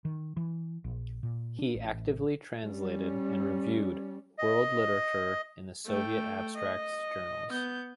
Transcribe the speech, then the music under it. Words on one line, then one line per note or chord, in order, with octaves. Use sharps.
He actively translated and reviewed world literature in the Soviet Abstracts Journals.
D#3
E3
A#1
A#2
D4
A1
G3 C#4
D#5
A3 G5
D#5
B3 G6